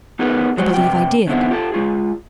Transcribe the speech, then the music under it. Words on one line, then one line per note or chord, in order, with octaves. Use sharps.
"I believe I did."
B3 D#4 G4 G#4 A#4 B4
F#3 G#3 F#4 G4 C5
G2 C3 G3 G5
D3 D#3 B3 C4 E4
F4 G4 A4 G5 A5
G#3 F4 G#4